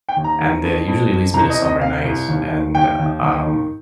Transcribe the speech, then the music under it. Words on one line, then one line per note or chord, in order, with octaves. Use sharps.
and that usually leads me to somewhere nice, and, um
G5
D#2
A#5
D#3
F2
F2
F2
C2 A#5
D#5
C3
D#5
C3 F5
C2
D#2
D#3
D#2 G5
D#2
D#2
D#3